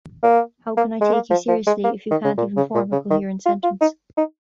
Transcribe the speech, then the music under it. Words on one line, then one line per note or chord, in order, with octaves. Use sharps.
How can I take you seriously if you can't even form a coherent sentence?
A#3
A#3
G#3
A#3
F3
F3
G#3
A#3
D#3
C#3
A#2
C#3
A#2
C#3
D#3
F4
F4
D#4
D#4